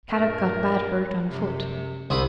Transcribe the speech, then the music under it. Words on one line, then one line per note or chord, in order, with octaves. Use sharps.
Kadok got bad hurt on foot.
G2 A#2 A#4
F#2 C3
C2 G3 G#3 C4 E4 D#6